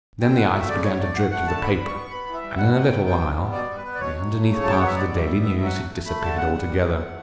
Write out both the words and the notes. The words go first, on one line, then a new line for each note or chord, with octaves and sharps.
Then the ice began to drip through the paper, and in a little while, the underneath part of "The Daily News" had disappeared altogether.
D3 G5
F#3 F#5
A3 E5
C#3 D5
F#3 C#5
A3 D5
A3 F#5
A3 F#5
D3 A5
A2 B5
G3
C#6
B3
B3 B5
E3
E5
G3
B2 F#5
F#3
G5
B3
B2 G5
G3
B3
B2 D5
G3
B4
B3
D5
B2 C#5
F#3
A3
C#3
F#3 A5
G5
B3 F#5
E5
B2 D5
G3
E5
B3
B2 E5
F#3
F#5
A3
A3
A3 B5
D3 A5
C#3 F#5
G3
B3
A3
A3